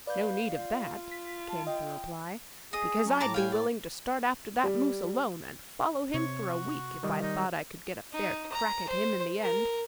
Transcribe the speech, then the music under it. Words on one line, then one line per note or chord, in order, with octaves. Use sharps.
"No need of that," came the reply, "because I'd be willing to start after that moose alone, and follow him for a week, if I thought I could get a fair crack at him in the end."
B4 D5 F5 G6
F4
B6
A5
D#5 G5
G#4 D#5 D#6
F#3 C#4
A2 A5 A#5 D6
F5 G5 G#5
D5
G3
C3 C#5
F#4
D#3 G3 D#5
D#4
D#4
A#5
C5
A#4